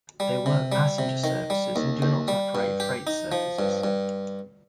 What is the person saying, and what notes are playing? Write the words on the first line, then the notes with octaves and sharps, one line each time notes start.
They work passenger services and do not operate freight services.
G3
C3
G3
C3
D#3
G3
D#2
D#2
G3
G2
G4
D#4
F3
G2
G2